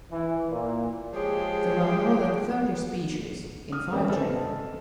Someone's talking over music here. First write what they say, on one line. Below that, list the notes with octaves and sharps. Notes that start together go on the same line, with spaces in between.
There are more than thirty species in five genera.
E3
A#2
F3 G#3 G4 G#4 C#5
D#6 F6
E3 A3 C4 C#4 G4 B4
A4 C5 D#5 A5